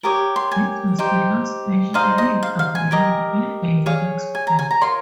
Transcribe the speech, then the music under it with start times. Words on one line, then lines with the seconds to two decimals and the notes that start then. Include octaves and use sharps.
This was the last version made available in a Unix port.
0.03 G4 A#4 C#5 D#6
0.36 C6
0.51 G#5
0.99 D#4 G4 C5 G5
1.94 D#4 G#4 C5 D#5 F5
2.18 D#5
2.43 F5
2.59 F5
2.75 G#5
2.91 G4 A#4 D#5
3.86 G#4 C#5 F5
4.35 G#5
4.47 A#5
4.59 G#5
4.71 A#5
4.81 F4 A#4 C#5 C6